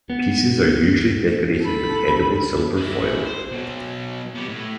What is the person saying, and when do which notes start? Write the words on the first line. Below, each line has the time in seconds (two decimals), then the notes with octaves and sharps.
The pieces are usually decorated with edible silver foil.
0.10 B3
1.62 A4 B5
2.77 G#3 E4
3.25 C5
3.51 B2 F#3
4.35 B3 G4
4.49 A2